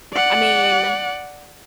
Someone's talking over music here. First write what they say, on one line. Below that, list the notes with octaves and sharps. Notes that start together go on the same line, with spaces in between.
I mean,
D5 F#5